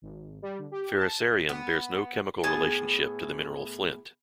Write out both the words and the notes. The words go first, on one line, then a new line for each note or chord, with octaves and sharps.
Ferrocerium bears no chemical relationship to the mineral flint.
G#1
G3
D3
G4
A5
B3
A2 B3 G#4 A5